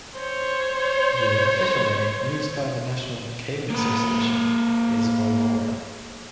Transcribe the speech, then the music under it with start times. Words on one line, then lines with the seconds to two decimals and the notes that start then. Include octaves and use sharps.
The unofficial name used by the national caving association is "Aurora".
0.15 C5 C#5
3.70 A#3 B4